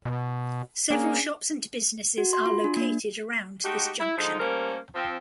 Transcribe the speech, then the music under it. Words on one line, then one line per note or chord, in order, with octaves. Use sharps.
Several shops and businesses are located around this junction.
B2
A#3 C#4 D4 G#4
F#4
C6
F4
D4
A#3
G#3 A3 D#4 F#4 G4
E4
D3 F3 G#3 D#4
G3 A3 A#3 C#4 A#4 C5
F3 C4